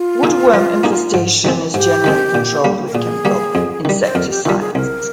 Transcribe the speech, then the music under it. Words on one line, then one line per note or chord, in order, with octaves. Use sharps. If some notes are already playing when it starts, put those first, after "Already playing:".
Woodworm infestation is generally controlled with chemical insecticides.
Already playing: F4
A#3 D#4 G#4
F3
A#3 D#4 G#4
G#2
D#3 G#3 C4
G#2 G4
D#3 G#3 C4
A#2
G3 A#3
A#4
A#2 G#4
G3 A#3
F2
D#3 G3
C5
F2 A#4
G4
D#3 G3 F4
G#4
C2 A#4